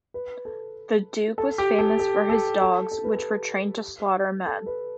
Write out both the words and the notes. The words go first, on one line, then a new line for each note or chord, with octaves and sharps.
The duke was famous for his dogs, which were trained to slaughter men.
B4
A4
A4
G4
A4
A4
A4
A4
A4
B4
A4
A4
B4